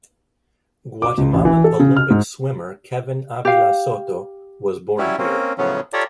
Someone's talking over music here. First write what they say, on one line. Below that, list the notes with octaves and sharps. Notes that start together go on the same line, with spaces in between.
Guatemalan Olympic swimmer Kevin Avila Soto was born here.
D6
C#2
A1
E3
A4
C#3
F6
G#2
G4 F5
F#3 G3 C#4 E4
A#3 C4 C#4
A2 C#3 F3 F#3 B3 C#4
F4 G4 A4 C#5 D5 A#5